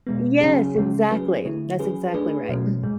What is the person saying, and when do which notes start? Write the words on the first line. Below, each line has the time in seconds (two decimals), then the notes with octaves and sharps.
Yes, exactly. That's exactly right, mm
0.07 B2 G#3 B3
0.41 C#3 F#3 C#4 G#4
0.76 C#3 G#3 C#4
1.11 F#3 C#4 G#4 B4
1.45 D3 A3 E4
1.79 F#3 C#4 G#4 B4
2.14 A3 D4 G#4 B4
2.49 B2 F#3 A3 C#4
2.83 A2 G#3